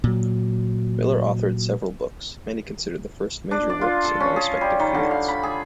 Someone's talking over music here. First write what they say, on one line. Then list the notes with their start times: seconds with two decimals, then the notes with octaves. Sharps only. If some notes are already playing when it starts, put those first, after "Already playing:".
Miller authored several books, many considered the first major works in their respective fields.
0.04 A#2 F#3
3.51 D4
3.70 D5
3.81 F4
4.05 A4
4.20 C#4
4.36 G#4
4.61 G3
4.80 D#3
4.95 D3
5.11 F5
5.28 B5
5.43 G#4